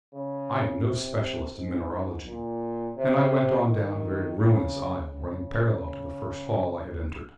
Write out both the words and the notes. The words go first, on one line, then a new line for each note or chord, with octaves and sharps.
I am no specialist in mineralogy, and I went on down a very ruinous aisle running parallel to the first hall I had entered.
C#3
C3
G#2
A#2
C3
D#3
C#3
C#3